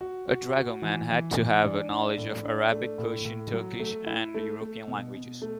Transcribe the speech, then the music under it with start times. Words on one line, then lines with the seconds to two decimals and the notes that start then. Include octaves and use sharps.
A dragoman had to have a knowledge of Arabic, Persian, Turkish, and European languages.
0.01 F#4
0.28 F#4
0.55 F#4
0.82 E3
1.10 E3
1.36 E3
1.63 D4
1.90 D4
2.18 A2
2.45 D4
2.72 A3
2.98 A2
3.25 A2
3.53 F#3
3.80 A3
4.06 E4
4.35 A3
4.61 A3
4.88 B2
5.15 B2
5.42 A3